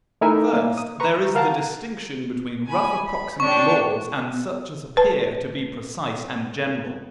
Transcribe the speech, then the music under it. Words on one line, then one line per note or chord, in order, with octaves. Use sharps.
First, there is the distinction between rough approximate laws and such as appear to be precise and general.
A3 D#4 E4 A#4 E5 G#5
A#3
D#6
B4 A#5 C#6
A#4 F5 F#5 A5 A#5
G#5 B5
B5
D4 C#5 G5 C#6
B4 A5